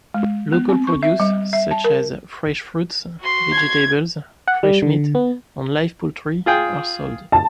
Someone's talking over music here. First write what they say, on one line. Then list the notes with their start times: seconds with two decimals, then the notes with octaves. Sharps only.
Local produce such as fresh fruits, vegetables, fresh meat and live poultry are sold.
0.14 G#3
0.52 B3
0.69 C4
0.87 C#6
1.03 E5
1.20 G3
1.53 E5
1.71 A5
1.84 A#4
3.19 F#4 C6
3.55 G#6
4.48 F#5
4.63 G3
4.82 D3
5.15 B3
6.46 F4 G#4 G5
7.32 A5